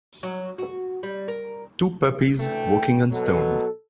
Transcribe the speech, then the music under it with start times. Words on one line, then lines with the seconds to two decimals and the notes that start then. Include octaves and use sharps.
Two puppies walking on stones.
0.23 F#3
0.58 F#4
1.03 G3
1.28 A#4
2.40 D2 E3 A3 G5
3.11 B2 F#3 A4